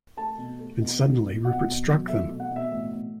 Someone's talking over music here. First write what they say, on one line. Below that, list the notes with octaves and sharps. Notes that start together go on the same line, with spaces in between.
And suddenly Rupert struck them.
A3 A5
B2
A3
B2
A3
B2
B2 F#5
B2
F#3
A3 E5
B2
F#5
B2
E5
A2
A2